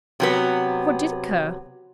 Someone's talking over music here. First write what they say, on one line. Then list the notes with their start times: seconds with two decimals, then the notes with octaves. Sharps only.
What did occur?
0.20 C3 F#3 B3